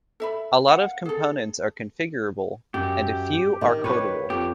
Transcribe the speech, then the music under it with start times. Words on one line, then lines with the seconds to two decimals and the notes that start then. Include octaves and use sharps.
A lot of components are configurable and a few are codable.
0.20 A4 E5 B5
0.68 F5 F#5
1.05 G#4 A4
2.74 F#2 G4
3.61 D#3
3.84 D#3 B4 C#5
4.30 F2 G4